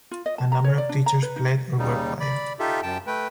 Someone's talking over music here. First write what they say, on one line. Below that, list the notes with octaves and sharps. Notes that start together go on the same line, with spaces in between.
A number of teachers fled or were fired.
F4
D#5
A5
A#5
C#5
D5
D4
A#5
B4
D#4
D#2 C#3 G3 D#4
D5 B5
D#4 F4 G4 A4 E5
F#2 G5 A5
A3 B4 G5